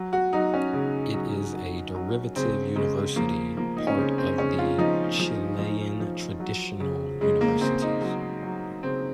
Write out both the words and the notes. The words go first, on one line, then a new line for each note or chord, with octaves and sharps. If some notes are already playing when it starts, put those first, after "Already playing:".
It is a derivative university part of the Chilean Traditional Universities.
Already playing: F#3
F#4
F#3 D#4
C#4
C#3
F#3
F#3
F#3
C#3 C4
C#3 G#3
F3 A#3
F3 A#3
D#4
C#4
C#3 C4
C4
C#3 C#4
F4
F3 D#4
F3
F3
F3
F#3
C#3
C#3 G#3
A#3
C#3 C4
D#4
F#3
F#3
C#3 C4